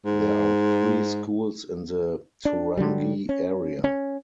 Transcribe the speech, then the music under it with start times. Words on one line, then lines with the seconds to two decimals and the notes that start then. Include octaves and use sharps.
There are three schools in the Turangi area.
0.05 G#2
2.45 D4
2.77 D3 F#3 G3
3.29 C#4
3.84 C#4